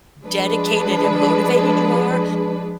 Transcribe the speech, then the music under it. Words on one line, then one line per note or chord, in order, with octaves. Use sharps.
dedicated and motivated you are
F3 G#3 D4 B4